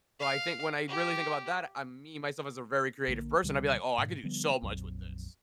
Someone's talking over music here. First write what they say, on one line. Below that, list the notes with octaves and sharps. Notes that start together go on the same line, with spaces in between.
So, I think when I really think about that, um, me, myself as a very creative person, I'd be like, "Oh, I could do so much with this.
F5
G4
A#1 D3 F3 A#3
C#2 B2 D3 G3
G#2 B2
D3 F3 G3 B3
A#1 F2 A#2 F#3